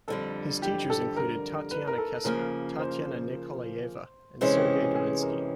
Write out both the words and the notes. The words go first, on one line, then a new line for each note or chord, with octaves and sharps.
His teachers included Tatiana Kestner, Tatiana Nikolayeva and Sergei Dorensky.
F2 D3 G3 A4
G4
A4
A#4
B4
A#4
A4
C#3 F3 A#3 A#4
C5
C3 E3 G#3 C#4 C5
G4
G#4
G#4
A#4